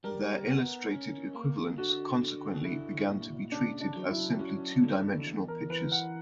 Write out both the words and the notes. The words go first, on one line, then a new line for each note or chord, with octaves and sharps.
Their illustrated equivalents consequently began to be treated as simply two-dimensional pictures.
G3 A#4
B3
C#4
A#3
D3 F#4
D3
E4
A#2
C#3 D4
D4
F#3
E4
C#4 F#4
D3
E2
A#4
E3 B4
F#5